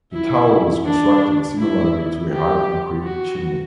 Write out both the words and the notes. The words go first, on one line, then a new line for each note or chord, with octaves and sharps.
The tower was constructed similarly to a high concrete chimney.
E4
D4
E4
G4
F#4